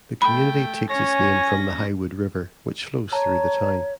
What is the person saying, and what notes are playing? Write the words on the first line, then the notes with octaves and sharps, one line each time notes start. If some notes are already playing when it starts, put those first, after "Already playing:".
The community takes its name from the Highwood River, which flows through the town.
A3 G5 B5
C#4 C#5 G#5 A#6
C#5 A5 A#5